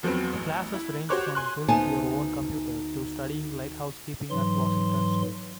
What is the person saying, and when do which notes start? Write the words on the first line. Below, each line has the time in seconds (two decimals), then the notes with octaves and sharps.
Classes range from "Build Your Own Computer" to studying lighthouse keeping at Washington State.
0.03 E2 F3 F#3 B3 C4
0.33 A1
0.74 E4
1.09 F#4 G4 C5 C#5 D6 F#6
1.35 G#5 C6 F#6
1.68 D2 B3 D#4 C5 G#5 A5
4.31 G#2 E3 F#3 C6